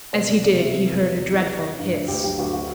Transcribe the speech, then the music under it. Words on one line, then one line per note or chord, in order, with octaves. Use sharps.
As he did he heard a dreadful hiss.
B2 C5
C2 D5
C2 D5
F#3 E5
C3
E2
C3
C3
E3
E3
E3
G2
D2 D5
D2 G4
F#3 G4
D2 F#4
F#4